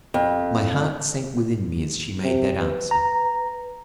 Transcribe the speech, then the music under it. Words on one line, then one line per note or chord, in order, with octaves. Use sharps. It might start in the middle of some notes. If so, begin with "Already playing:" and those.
My heart sank within me as she made that answer.
F2
C3
B4
A#5